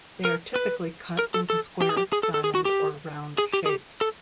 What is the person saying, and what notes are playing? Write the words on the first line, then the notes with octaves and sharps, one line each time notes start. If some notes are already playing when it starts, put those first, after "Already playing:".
They are typically cut into square, diamond, or round shapes.
A#4
B4
A#4
A4
A4
G4
G#4
G4
G#4
A4
A4
G#4
F#4
G4
G#4
G4
G#4
G4
A4